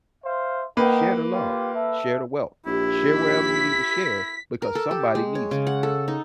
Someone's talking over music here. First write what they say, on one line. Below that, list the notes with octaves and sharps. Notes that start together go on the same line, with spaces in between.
Share the love. Share the wealth. Share wherever you need to share, because somebody needs it."
C5 E5 F5
A#3 D#4 B4 F#5 G5
F4 G4
A4 E5
A#1 E4 G4
B6
A#4
A4
G4
G#3
C#5
C#3
F#5
A4
D#4